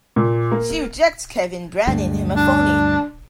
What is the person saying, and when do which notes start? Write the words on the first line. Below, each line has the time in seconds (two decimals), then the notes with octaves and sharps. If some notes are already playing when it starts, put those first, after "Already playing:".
She rejects Kevin, branding him a phoney.
0.16 A#2
0.52 A#3
1.87 D2 G2
2.36 D4